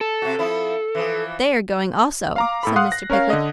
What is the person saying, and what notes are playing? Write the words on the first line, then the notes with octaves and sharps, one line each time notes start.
'They are going also,' said Mr. Pickwick.
A4
C3 F#4
F3 E4
E3 F3
F5 A#5 D6
A2 A4 B5
F5 F#5 C6 D#6 F#6 C7
A#6
C#4 A#4 C#5 F5
D3 D#5